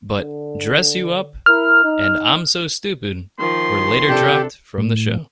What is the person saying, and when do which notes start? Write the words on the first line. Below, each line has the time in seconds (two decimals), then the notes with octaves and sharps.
But "Dress You Up" and "I'm So Stupid" were later dropped from the show.
0.17 D3
1.46 E4 A#4 F6
1.83 D#4
3.39 D#3 F3 C6
4.08 C3 D4 G4 A4
4.78 A2